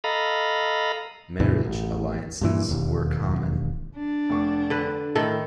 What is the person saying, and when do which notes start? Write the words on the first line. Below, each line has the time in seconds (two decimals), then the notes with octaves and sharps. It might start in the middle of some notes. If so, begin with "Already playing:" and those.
Marriage alliances were common.
0.04 A4 D#5 F5 A#5 B5
1.40 D2 G2 B2 E3
1.64 A1
2.41 G2 A#2 E3
2.69 E1 D#2
3.96 D4
4.29 F1 C#6 D6
4.70 D3 B4
5.15 A2 D#3 A4